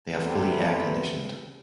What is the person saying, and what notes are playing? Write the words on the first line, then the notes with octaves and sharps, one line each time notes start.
They are fully air-conditioned.
C3 E3 G3 A3 B3